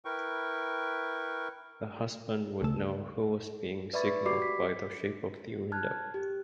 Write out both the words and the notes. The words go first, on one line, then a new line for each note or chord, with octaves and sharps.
The husband would know who was being signalled by the shape of the window.
E4 A#4 B4 G5 C#6
D2 C#3 A3
B4 D5 E5 B5 C#6 A6
F#4 G4 D5 B5 D6 C7
B6
A5 F6 F#6 G#6
G4